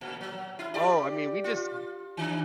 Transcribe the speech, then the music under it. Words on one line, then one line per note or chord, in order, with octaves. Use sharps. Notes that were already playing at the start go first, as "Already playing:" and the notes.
oh, I mean, we just
A2
F#3
E4
G4 D5
F4
D#3 D4